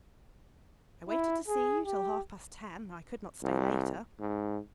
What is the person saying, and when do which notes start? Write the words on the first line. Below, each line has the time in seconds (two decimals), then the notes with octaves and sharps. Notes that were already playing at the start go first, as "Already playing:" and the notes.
I waited to see you till half-past ten, I could not stay later.
1.09 E4
1.48 G#4
1.86 G4
3.43 C2
4.20 G#2